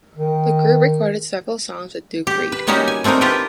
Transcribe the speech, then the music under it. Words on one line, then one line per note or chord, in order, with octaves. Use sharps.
The group recorded several songs with Duke Reid.
D#3
G4
B4
G3 A#3 C#4 D#4 F#4 G4
G#5
A3 C4 D4 D#4 A#4
F4 G4 A#4 B4 G5